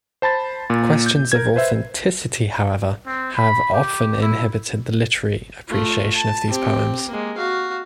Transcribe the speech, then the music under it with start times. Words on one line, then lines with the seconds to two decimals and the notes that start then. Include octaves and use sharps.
Questions of authenticity, however, have often inhibited the literary appreciation of these poems.
0.22 C5 A5 B5 A6
0.70 A#2
1.06 G6
1.32 A#4 G#6
1.56 B4 C5 E5
3.07 C4
3.37 B5
3.74 G4
4.21 E4
5.68 A3 F4
6.14 A5
6.49 C4 G4
7.08 G#3 A#3
7.37 F#4 F5